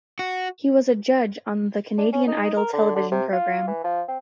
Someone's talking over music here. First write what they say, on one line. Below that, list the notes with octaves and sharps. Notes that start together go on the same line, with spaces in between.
He was a judge on the "Canadian Idol" television program.
F#4
D4
C#4
D#4
A#4
D3
D3
C3
F4
E3
F3
C4